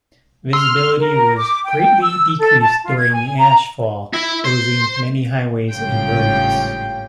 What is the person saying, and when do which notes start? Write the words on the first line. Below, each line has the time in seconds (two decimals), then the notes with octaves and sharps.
Visibility was greatly decreased during the ash fall, closing many highways and roads.
0.53 C6 E6 F6
0.99 A#4
1.37 D6
1.65 G5
2.01 E6
2.39 A4
2.61 A5
2.84 F4
2.98 G#6
3.13 G#5
3.37 A#5
4.14 E4
4.45 C5
5.71 G#1 A2 C#3 G3 F4 G5